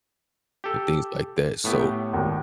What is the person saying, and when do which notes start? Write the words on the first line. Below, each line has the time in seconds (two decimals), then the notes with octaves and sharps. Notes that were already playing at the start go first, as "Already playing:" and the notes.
and things like that. So,
0.64 G4 A4
1.64 A2 B3 G4
2.13 G#1 D#2